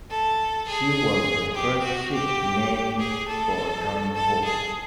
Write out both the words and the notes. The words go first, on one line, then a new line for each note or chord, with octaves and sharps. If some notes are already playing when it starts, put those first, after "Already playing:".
She was the first ship named for John Pope.
A4
G#4
G4
F#4
G4
G#4
A4
A4
G#4